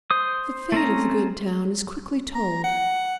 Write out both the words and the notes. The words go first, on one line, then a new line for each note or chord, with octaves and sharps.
The fate of the good town is quickly told.
C5 D#6
A3 C4 C#4 A#5
A#5
F#5